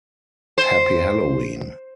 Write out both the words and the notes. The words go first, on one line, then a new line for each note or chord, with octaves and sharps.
Happy Halloween!
C5